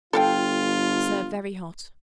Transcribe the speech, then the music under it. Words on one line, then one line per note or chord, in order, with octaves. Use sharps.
Serve very hot.
G1 F4 A4 F5 G5